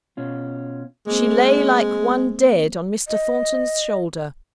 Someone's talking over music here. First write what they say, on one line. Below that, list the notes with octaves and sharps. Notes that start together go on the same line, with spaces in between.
She lay like one dead on Mr. Thornton's shoulder.
B2 C#4 F4
G#3 A#3 C4
D#5